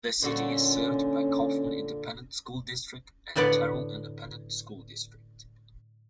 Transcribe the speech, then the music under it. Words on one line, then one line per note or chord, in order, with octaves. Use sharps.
The city is served by Kaufman Independent School District and Terrell Independent School District.
A#2 D3 C#4 F#4
A2 D3 B3 B4 D5 F#5